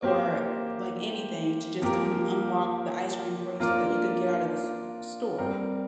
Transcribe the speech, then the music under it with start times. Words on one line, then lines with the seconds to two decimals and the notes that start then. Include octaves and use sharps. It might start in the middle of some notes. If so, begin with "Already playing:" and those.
or, like, anything to just come and unlock the ice cream for you so that you can get out of the s store.
0.03 A#3 G4 C5
1.82 F3 A#3 G4 A#4
3.60 A#3 D4 F4 A#4 D5
5.38 G3 C4 A#4